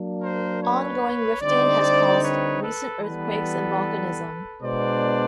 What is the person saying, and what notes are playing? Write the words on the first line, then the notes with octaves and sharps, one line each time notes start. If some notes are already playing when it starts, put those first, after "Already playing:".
Ongoing rifting has caused recent earthquakes and volcanism.
Already playing: F#3 A#3 D4
A#4 C5
B4 C#5
D3 G3 C4 D#4 C5 D5
B4 C#5
A4 B4
E3 G3 B3 A4 B4
B2 G#3 B3 D4 C5 D5